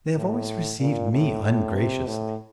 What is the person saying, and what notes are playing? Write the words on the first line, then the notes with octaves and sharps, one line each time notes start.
They have always received me ungraciously.
A2
A#2
A2
A2
C3
A2